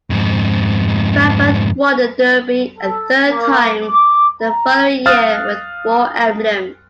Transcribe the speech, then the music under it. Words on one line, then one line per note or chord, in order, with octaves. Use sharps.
Baffert won the Derby a third time the following year with War Emblem.
F2 G#2
A4
A#3
D6
A#5
F5 D#6 F6 F#6 A6